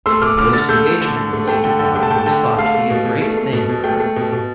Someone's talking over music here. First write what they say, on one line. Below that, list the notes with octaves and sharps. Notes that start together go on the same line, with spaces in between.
The proposed engagement with Lady Fawn was thought to be a great thing for her.
A3 C6 E6
A3 D6 F6
D3 D6 F6
D3 F6 A6
A3 E6 G6
A3
D3
D3
A3
A3 G5
D3 G5
D3 G5
A3 G5
A5
A3 G5
A5
D3 G5
D3
A3 F5 A5
A3
B2
B2
A3
A3
B2
B2
A3 G5
A3
B2
B2